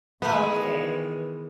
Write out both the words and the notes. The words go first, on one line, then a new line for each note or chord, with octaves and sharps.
Oh, okay.
D#3 E3 G#3 B3